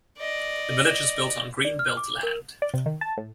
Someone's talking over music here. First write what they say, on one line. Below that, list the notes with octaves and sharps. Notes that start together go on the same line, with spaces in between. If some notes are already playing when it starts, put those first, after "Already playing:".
The village is built on green belt land.
D5 D#5
D5
F6
D6
A#4
D5
C3
D#3
A5
A2